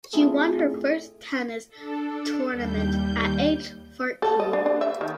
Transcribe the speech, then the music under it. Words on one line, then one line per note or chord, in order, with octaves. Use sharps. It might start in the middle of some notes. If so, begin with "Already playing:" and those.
She won her first tennis tournament at age fourteen.
A3 C4 E4 F4 G#4 A4
D4 A4
D#2 G3 G6
A4
D#5
D4
D4
E5
D#3